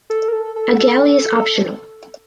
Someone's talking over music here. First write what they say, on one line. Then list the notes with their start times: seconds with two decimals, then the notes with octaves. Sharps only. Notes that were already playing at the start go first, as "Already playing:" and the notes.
A galley is optional.
0.10 A4
0.28 A#4
0.33 A4
0.56 A4
0.79 A4